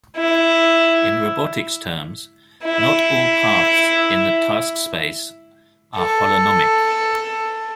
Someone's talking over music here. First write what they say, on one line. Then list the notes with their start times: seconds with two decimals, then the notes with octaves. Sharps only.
In robotics terms, not all paths in the task space are holonomic.
0.16 E4
2.65 E4
5.97 A4